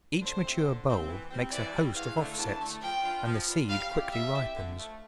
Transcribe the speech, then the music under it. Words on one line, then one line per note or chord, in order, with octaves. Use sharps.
Each mature bulb makes a host of offsets, and the seed quickly ripens.
D3 C5
F3 A3 C4
D3
F3 A3 C4
E3
G3 C4
E3 D5
G3 C4
E2 F5
D3 A3
E2 A5
D3 A3
F3 G5
B3 D4 F4
F3
B3 D4 F4
G3 F5
C4 E4 G4 D5
G3 E5
C4 E4 G4 D5
D3
F3 A3